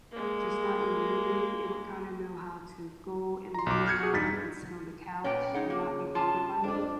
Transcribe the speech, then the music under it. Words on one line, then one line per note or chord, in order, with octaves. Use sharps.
just not in the mood it would, kinda know how to go in the living room and sit on the couch, and not be bothered by me,
G#3 A#3
A#5 C6
B1 D6
F6 G6 G#6 C#7
F#4 G#4
E2 G2 D#4 A6 B6
A#2 B3 C#4 G5
C#3 G#3 D#4 F#5
A#3
F4 A5
F2 D4 D5